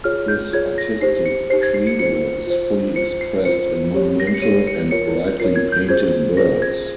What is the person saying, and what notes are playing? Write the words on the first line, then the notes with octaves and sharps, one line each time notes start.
His artistic "credo" is fully expressed in monumental and brightly painted birds.
F4 G#4 C#5 F6
G6
F4 G#4 C#5 G#6
A#6
D#4 G4 C5 C7
C#7
D#4 G4 C5 C7
G#6
C7
C#7
F4 C5 C#7
F4 C5
F4 C5 C#7
C7
F4 C5 C#7
G4 C#5
A#6
C7
C#7
G4 C#5 D#7
C#7
F4 A#4 C#5 C#7
F4 A#4 C#5 C7
G#6
G6
F4 G#4 C5 G#6
F4 G#4 C5 A#6
G#6